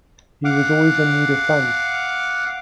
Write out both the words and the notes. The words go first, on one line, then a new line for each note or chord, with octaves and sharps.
He was always in need of funds.
F5 F#5 D6